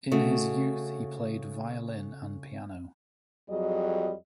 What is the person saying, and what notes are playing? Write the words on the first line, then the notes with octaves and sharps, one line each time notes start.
In his youth he played violin and piano.
C#3 A3 F#4
F2 F#3 G3 G#4 C#5 D#5